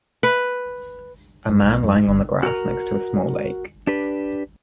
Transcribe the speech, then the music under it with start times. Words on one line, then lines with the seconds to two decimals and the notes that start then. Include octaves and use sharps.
A man lying on the grass next to a small lake.
0.23 B4
1.49 G2
1.63 B1
1.83 F#2
1.97 G#2
2.08 G1
2.43 F#4 A#4
3.87 D4 G4 B4